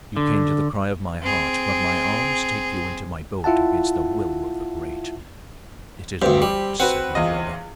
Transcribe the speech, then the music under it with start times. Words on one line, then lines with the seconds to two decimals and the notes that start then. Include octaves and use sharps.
You came to the cry of my heart, but my arms take you into my boat against the will of the great!' 'It is right,' said my brother.
0.17 D3
1.22 C4 G#4
3.44 E4 F4 E5 F#5 A5
6.22 D2 G2 C4 G4 C5
6.42 G3
6.80 C4 F#4 B4 F#5
7.15 E2 F4 D#5